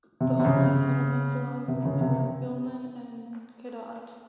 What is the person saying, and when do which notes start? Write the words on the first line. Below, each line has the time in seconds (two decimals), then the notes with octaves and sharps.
The only settlements along the river are Gilman and Cadott.
0.21 C3
0.39 C3
0.45 C#3
1.68 C3
1.85 C#3
2.01 C3